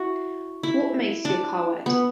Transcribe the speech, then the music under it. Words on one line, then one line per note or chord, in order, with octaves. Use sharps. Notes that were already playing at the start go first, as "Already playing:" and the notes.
What makes you a coward?
Already playing: E4 F#4
E4
D4
B3